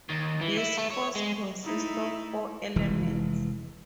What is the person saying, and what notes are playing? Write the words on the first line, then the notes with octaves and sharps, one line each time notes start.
This force consists of four elements.
D#2
E3
E4
A3
C#5
G#3
A3 D#4 E4
F1 E3 G#3